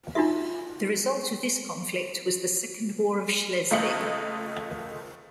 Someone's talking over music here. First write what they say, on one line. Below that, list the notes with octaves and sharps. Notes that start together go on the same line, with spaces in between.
The result of this conflict was the Second War of Schleswig.
D4 D#4 F4 F#4 E5
C#2 A3 F4 D#5 C#7 F#7